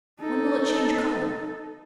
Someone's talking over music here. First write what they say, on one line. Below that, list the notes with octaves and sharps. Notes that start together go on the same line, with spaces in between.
"When will it change colour?"
D#4 A4